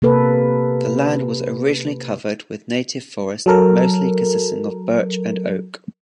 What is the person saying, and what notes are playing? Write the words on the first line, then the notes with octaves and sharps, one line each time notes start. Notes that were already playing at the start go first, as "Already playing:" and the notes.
The land was originally covered with native forest mostly consisting of birch and oak.
C3 A#3 A4 B4
F#3 A4 A#4